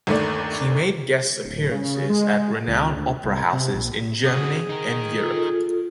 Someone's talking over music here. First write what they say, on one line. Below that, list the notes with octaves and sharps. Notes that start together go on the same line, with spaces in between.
He made guest appearances at renowned opera houses in Germany and Europe.
G1 D#2 A3 D5
D1
C#3
G#3
C#2
D2
C2
C3
A#1
C#3 F#4 G#4
D#4 A#4
F4 A4